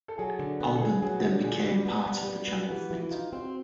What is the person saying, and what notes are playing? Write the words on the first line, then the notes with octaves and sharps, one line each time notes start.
"Albion" then became part of the Channel Fleet.
A4
F#3 G#4
D3
B3
A4
B3 G#4
F#3 G#4
D3 G4
A#2 G#4
G4
F#4
G3 G4
B3
G3 B4
B3 G4
F#4
B3
F#4
E3 G4
E3 F#4
E4
D#4 F4
C4 F#4